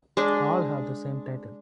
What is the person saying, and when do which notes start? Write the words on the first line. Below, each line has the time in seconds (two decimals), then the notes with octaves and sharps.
All have the same title.
0.17 G#3 D4